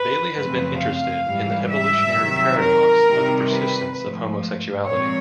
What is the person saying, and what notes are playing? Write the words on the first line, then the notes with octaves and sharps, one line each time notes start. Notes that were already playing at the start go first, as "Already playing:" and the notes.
Bailey has been interested in the evolutionary paradox of the persistence of homosexuality.
Already playing: B4
F#2 C#3 F3 A3 C4 B4
F5
G#2 E3 G3
E5
C3 D#3 F#3
A#4
C3 D#3 G3 C4
B4
G#2 F3 A3
A#2 F3 G#3 C4 C#5